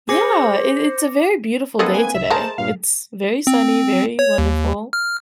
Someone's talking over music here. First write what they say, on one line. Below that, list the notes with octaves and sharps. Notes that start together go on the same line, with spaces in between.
Yeah. It it's a very beautiful day today. It's very sunny, very wonderful.
G#4 C5 D6 A#6 C#7
D3 A#3 C4 G#4 A4 B4 D#5
G#5
C2 E5
G#3 A3 A#4 C5 A5
G2 A#2 F5
C4
C#5
D#2
F6